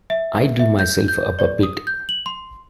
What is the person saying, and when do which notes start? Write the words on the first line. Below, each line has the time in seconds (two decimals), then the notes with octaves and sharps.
I drew myself up a bit.
0.10 E5
0.59 E5
0.79 G6
1.08 G6
1.39 D5
1.63 D#6
1.87 G6
2.09 F#7
2.26 C6